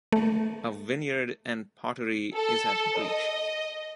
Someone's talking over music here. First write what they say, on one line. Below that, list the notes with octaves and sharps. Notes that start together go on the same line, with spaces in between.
A vineyard and pottery is at Breach.
A3
A4
D#5